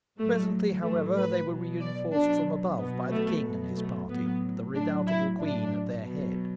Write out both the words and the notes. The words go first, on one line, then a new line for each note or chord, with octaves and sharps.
Presently, however, they were reinforced from above by the king and his party, with the redoubtable queen at their head.
A2 F#3 A3
A2 F#3 A3
B4
B2 F#3
D5
B2 F#3 D4
B2 F#3 B3
A3
B2 F#3
A3
A2 F#3 B3
A2 F#3 D4
E4
A2 F#3 D4
B2 F#3